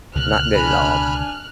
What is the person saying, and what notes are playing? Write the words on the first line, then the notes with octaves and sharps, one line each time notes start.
not good at all.
C#2 B2 D3 F6 F#6
D4 G#5 B5